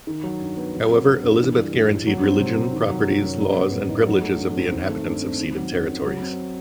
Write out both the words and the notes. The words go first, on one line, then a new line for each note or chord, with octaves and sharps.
However, Elizabeth guaranteed religion, properties, laws and privileges of the inhabitants of ceded territories.
D#3
F#3
G2
B3
F#3
C4
G2
G2
E3
G3
G2
G2
F#3
C4
C3
C3
D#3
F#3
F#2
F#2
G3
B3
A2
D#4
F#3
A3
G2
C4
D#3
A3
G2
C4
D#3
F#3
F#2
C4
F#3
C4